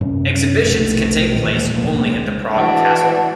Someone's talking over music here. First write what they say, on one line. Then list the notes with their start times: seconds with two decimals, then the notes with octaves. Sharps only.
Exhibitions can take place only at the Prague Castle.
0.01 F#2 C3 C#4
0.62 F1 B1 A3
1.33 A1 D#2 A#2 G#3
1.74 F1 A#1 A#3
2.05 C#2 G#3
2.54 E3 G#3 D4 F#4